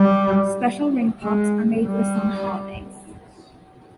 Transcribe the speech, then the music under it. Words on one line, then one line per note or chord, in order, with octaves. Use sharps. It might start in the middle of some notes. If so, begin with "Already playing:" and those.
Special Ring Pops are made for some holidays.
Already playing: G3
G#3
G3